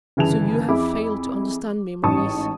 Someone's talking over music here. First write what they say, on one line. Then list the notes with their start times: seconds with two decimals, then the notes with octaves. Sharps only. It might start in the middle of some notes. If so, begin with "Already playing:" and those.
So you have failed to understand me, Maurice.
0.17 G1 C#3 E3 G#4 A5 F7
0.68 F2 E4 G#4 B5 D6
2.03 A1 G#2 C#4 A5 C#6 D#6